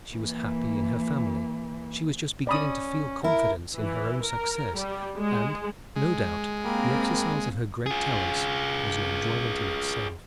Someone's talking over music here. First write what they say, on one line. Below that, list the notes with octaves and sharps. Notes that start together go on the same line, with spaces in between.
She was happy in her family; she was just beginning to feel confidence in her own success; and, no doubt, the exercise of her great talents was an enjoyment in itself.
E3 A#3
C#4 D5 B5 D#6
E4 A#4
E3
A#4
G3
G#3
G#3
A#3 C4 G4 A#4 B5
F4 G#4